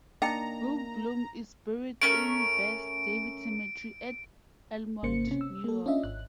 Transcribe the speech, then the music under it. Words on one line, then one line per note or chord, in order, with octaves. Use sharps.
Rube Bloom is buried in Beth David Cemetery at Elmont, New York.
A#3 D4 D#4 D#5 G5 A#5
A3 C#4 A#4 D7
G#1 C#3 A#3 C5 C#7
C3 C#4
E6
A#3 A4
C#4 D4 F4 D#5 E5
G#1 F#6